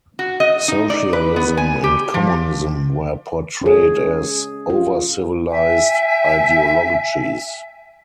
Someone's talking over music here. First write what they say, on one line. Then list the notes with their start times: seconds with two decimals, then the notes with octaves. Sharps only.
Socialism and communism were portrayed as "overcivilized" ideologies.
0.19 F#4
0.40 D#5
0.68 D#4
0.90 D5
1.13 B4
1.36 B3
1.57 G#5
1.84 G4
2.14 F3
3.62 C#4 G#4
4.70 F4
5.50 E5 G5 G#5